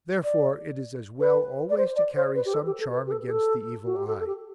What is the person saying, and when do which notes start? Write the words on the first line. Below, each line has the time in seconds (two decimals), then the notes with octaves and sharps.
Therefore, it is as well always to carry some charm against the evil eye.
0.24 D5
1.20 B4
1.70 D5
1.78 C5
1.96 D5
2.16 C5
2.35 B4
2.45 G4
2.54 A4
2.66 G4
2.80 A4
2.92 B4
3.07 G4
3.11 A4
3.27 G4
3.31 A4
3.85 F#4
3.96 G4
4.07 A4
4.20 A4
4.27 G4